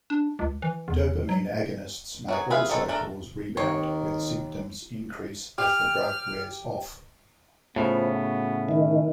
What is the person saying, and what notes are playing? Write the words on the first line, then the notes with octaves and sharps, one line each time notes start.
Dopamine agonists may also cause rebound when symptoms increase as the drug wears off.
D4
C#2
E3
E2
F#3
F#3 F#4 G#4
F4 G#4 B4 E5 F5
F#3 G#3 C4 A4
A3 D4 A4 A#4
D#2 D#3 C4 C#5
G4 F6
A2 C#3 F3 B3
F#4
D#3 E4